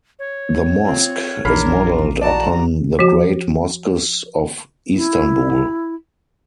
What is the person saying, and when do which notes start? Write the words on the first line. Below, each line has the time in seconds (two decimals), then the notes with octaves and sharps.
The Mosque is modelled upon the great mosques of Istanbul.
0.19 C#5
0.85 C4 F4
1.45 A#1 E3 D4 A#4 B5 F6 C7
2.21 F#4 D5 A5 A#5
2.99 F3 F#4
4.95 E4